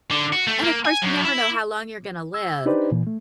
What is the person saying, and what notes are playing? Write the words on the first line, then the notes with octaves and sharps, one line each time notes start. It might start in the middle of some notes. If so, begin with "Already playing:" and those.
And, of course, you never know how long you're gonna live,
D3
F#4
A3
A#3
G#5
F#2
E4
E6
D4 D#4 G4 B4 C5 D5
A#2 E3
A3